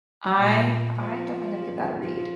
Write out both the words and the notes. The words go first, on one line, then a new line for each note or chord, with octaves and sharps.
I I'm definitely gonna give that a read.
A#2
F3
F3